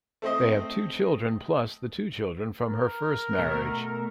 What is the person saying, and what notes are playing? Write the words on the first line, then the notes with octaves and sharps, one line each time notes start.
They have two children plus the two children from her first marriage.
A3 C4 C5 D#5
A#4
B2 A3